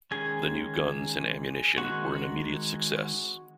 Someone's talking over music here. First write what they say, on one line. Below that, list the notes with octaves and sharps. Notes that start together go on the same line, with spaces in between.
The new guns and ammunition were an immediate success.
D#3 G#3 C#4 G#4 G#5
D#3 G#3 C4 F#4 F#5